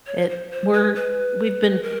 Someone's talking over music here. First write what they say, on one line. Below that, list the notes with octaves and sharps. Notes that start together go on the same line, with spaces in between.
it we're we've been f
C#5
C5
C5
B4
B4
A#4